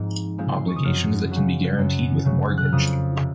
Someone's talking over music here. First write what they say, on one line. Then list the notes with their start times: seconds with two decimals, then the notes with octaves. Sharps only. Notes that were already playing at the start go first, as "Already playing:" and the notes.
Obligations that can be guaranteed with a mortgage.
Already playing: G#2 F3 G#3 C4
0.38 F3 G#3 C4
0.58 C6
0.67 C#6
0.76 D#6
0.85 F#2 F6
1.31 C#3 F#3
1.78 F#2
2.26 C#3 F#3
2.58 F#6
2.65 F6
2.72 F2 D#6
3.19 C3